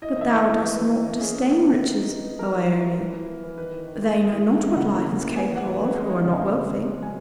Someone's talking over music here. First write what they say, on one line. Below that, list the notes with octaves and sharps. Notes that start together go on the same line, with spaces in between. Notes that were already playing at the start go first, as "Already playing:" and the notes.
'But thou dost not disdain riches, O Ione! they know not what life is capable of who are not wealthy.
E4 D#5
D#3 E5
E4
D#5
E4
E3
B3
B3
E3
C#4 G#4
A#3
E4
D#3
E3
D#4
B3
B3
F#3 A#4
E4
E4
F#3
E3
E4
B3
E3
D#3 B4
D#3
D#3
G#3
D#3 D#5
E4
D#3
E4
C#3 F#5
A#3
C#3
A#3
B3 G#5
E3 F#5
B3
E3
G#3
D#4
C#3
G#3
C#3
C#3
C#4
F#3 G#5